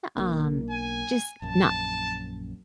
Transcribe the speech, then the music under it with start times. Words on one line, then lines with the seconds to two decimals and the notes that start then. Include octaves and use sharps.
eh, um, just not
0.17 B1 A#3 D4
0.70 G#5
1.42 A#1 F#2 A5